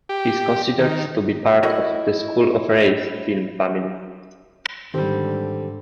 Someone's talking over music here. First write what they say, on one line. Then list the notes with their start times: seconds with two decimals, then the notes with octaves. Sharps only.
He is considered to be part of "The School of Reis" film family.
0.09 G4
0.78 D#3
1.63 E4 F#4 A4 A#4 D#5
4.94 G#2 D3 D#3 G3 C4 G4 A4